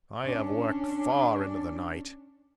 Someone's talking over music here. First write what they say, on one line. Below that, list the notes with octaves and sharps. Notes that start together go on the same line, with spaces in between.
I have worked far into the night.
C#4 D4